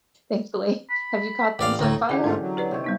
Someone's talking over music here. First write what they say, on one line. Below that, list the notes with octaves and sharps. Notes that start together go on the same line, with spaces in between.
thankfully. Have you caught things on fire?
B5
A1 D5 F5 D6
D2 A2 A#5
D3 E3 C#4 G4 G#4
G#2 A3 F4 A#4
F#3
G4 B4 D5
C3 D#3 C#5
G3 B3 D#4